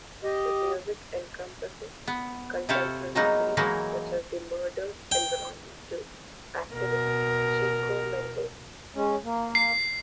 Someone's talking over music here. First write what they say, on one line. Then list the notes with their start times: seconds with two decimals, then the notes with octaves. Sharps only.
His music encompasses contemporary themes such as the murdered environmental activist, Chico Mendes.
0.24 G4 D#5
2.07 B3
2.69 C3 E4 A4 C5 C#5 F5
3.15 F3 F#3 G#3 A#3 B3 D#4
3.57 E3 F#3 G#3 A#3 D#4 E4
5.12 G5
6.73 B2 A#4
8.96 G#3 C#4
9.24 A#3
9.55 C7